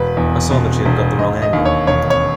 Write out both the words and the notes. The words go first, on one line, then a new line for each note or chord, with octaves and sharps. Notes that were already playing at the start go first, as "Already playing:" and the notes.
I saw that she had got the wrong angle.
Already playing: E1 B4
E2
B2
E1
E1 D#5
D#5
D#2
C#5
E1 C#5
C#5